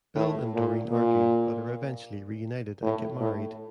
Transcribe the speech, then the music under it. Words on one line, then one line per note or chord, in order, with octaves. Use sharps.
Bill and Doreen argue, but are eventually reunited and get married.
A2
A#2
A#2
A2
A2